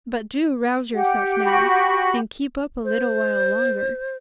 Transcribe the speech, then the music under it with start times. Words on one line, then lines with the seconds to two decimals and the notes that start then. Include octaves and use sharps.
But do rouse yourself now, and keep up a little while longer.
0.93 G4 F#5
1.46 F#4 B5
2.85 C5